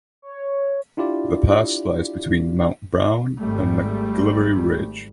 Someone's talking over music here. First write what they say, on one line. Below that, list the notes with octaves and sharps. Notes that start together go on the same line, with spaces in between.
The pass lies between Mount Brown and McGillivray Ridge.
C#5
D4 E4 F4 G4 D5
G#1 G#2 G3 A3